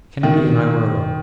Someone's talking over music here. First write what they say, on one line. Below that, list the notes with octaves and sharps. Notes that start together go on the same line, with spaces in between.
Kennedy and I were alone.
B2 D#3
B2